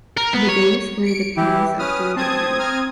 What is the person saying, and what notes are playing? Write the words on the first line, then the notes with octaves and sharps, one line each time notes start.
The Days were the parents of three daughters.
A#4
B3
C#5
C#7 D7
E3 E4 G4
C#4 B4 D#6 F6
C4 A5 D#6 G#6
A#5 F6